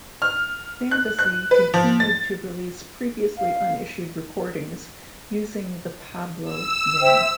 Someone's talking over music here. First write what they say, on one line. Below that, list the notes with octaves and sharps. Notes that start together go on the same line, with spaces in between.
Fantasy continued to release previously unissued recordings using the Pablo name.
F6
F#6
F#6
B4
F3
A6
F5
E6
C5 E5 G5